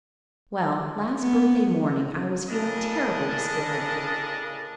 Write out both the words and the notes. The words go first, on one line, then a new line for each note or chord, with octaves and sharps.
Well, last birthday morning I was feeling terrible disperrited.
B3
A2 C#3 D4 A#4 D#5 A5